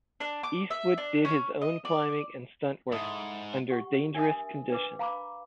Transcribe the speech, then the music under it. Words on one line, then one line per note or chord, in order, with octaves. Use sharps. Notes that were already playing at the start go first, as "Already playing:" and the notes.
Eastwood did his own climbing and stuntwork under dangerous conditions.
D4
D6
E5
D4
C#4
D#5
D5
G#2 E4 A4 D#6
G4 F#5 C#6
D4 A#4 E5 G#5 D#6
D4 B4 D6
F5 A#5 B5 D6